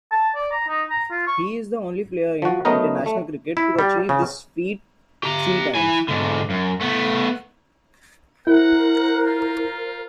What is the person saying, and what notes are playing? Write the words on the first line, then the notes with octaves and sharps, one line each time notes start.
He is the only player in international Cricket to achieve this feat three times.
A5
D5
A#5
D#4
A#5
F4
C#6
F3 F#4
F#3 A3 B3 D#4 A#4
A3
E4
G3
C#3
G4 A#5
E4 G#5
G#2 D3
F#2
A3 B3
E4 A#4 C5 F#5
F4